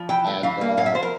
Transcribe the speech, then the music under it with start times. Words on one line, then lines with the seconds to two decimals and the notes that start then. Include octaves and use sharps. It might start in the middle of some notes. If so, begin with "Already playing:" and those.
and, uh
Already playing: F3
0.09 E3 G5
0.27 A3
0.43 E3 F5
0.61 A#3
0.77 A2 F5
0.86 E5
0.95 F3 C5
1.03 A#4